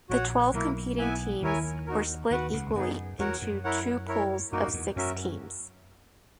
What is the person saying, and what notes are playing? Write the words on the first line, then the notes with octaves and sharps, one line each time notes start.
The twelve competing teams were split equally into two pools of six teams.
A#1 A#2 F#4 C#5 F#5
B1 B2 A#3 E4 A#4
B3 E4 B4 E5 G#5
D#2 D#3 E4 A#4 C#5 G#5
D#4 F#4 A#4
D#2 D#3 F#4 B4 F#5
C#2 C#3
E2
F#2 B3 D#4 G#4
E2 F#4 A#4 C#5 F#5
F#2
E4 A#4 C#5 F#5
E4 A#4 C#5
F#2 A#3 D#4 F#4 A#4
F#2
E2
F#2 C#4 F#4 A#4 E5